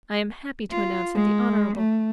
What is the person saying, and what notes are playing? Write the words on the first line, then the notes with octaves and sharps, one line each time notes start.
I am happy to announce that the Hon.
F4
G#3
A3